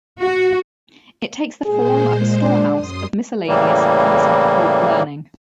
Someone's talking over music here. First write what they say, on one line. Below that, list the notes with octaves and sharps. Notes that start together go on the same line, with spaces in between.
It takes the form of a storehouse of miscellaneous philosophical learning.
F#4
A#2 G#3 G#4 C5
D4
F#2 C6 D#6
A2 C#3 E3 G3 A#3